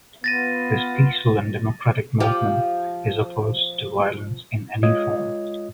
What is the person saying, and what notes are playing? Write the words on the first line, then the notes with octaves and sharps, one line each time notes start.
This peaceful and democratic movement is opposed to violence in any form.
B3 F4 A6 A#6 D#7
F3 G4
G#3 F4 C#5 D#5 D#6 G#6